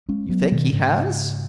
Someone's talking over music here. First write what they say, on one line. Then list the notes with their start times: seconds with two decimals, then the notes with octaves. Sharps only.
"You think he has?"
0.09 G#3 C#4
0.29 F#3 B3
0.52 B2 D#3
0.73 G#2 C#3